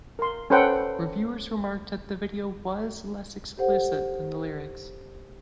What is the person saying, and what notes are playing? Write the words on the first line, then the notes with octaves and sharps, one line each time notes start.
Reviewers remarked that the video was less explicit than the lyrics.
A#4 C6
C#4 A4 B4 C5 F#5 G5
G4 A4 C5 F#5